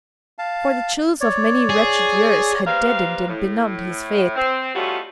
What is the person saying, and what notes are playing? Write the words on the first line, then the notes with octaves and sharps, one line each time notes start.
For the chills of many wretched years had deadened and benumbed his faith.
F5 A5
C#5 D5
G#4
G3 A#3 C4 B4 F5
A2
C4
G3 A3 C#4 D#4 F4 F#4